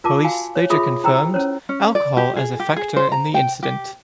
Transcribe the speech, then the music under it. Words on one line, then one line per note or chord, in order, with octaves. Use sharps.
Police later confirmed alcohol as a factor in the accident.
F4 A#4 A5 D6
F#4 F5 G#5
C#5
F4 G#4 E5 B5 D#6
E4 C5 G5 A#5 E6
C#4 C5 C#5
C#4
D5
G4
G#4
G4
G#4
C5
A#5
G5
G4